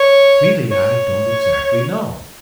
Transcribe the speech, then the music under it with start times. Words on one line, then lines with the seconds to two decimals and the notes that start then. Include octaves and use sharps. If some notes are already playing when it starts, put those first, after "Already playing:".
"Really, I don't exactly know."
Already playing: C#5
0.72 C#5